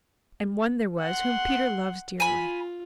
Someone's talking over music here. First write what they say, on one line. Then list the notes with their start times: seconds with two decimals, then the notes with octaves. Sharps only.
And one there was whom Peter loves dearly.
1.00 F#5 C6
2.20 F4 G#5 B5